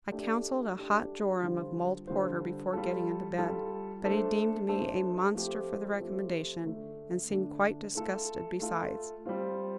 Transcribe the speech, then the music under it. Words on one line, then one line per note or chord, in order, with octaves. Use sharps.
I counselled a hot jorum of mulled porter before getting into bed; but he deemed me a monster for the recommendation, and seemed quite disgusted besides.
A3 D4 G4 D5
A3 D4 G4 D5
D3 G3 F4 C5
D3 G3 F4 C5
G3 F4 A4
G3 F4 A4
A3 D4 A4 C5
A3 D4 A4 C5
F3 A3 C4 G4
F3 A3 C4 G4
D3 A3 D4
D3 A3 D4
A3 F4 A4
A3 F4 A4
G3 C4 F4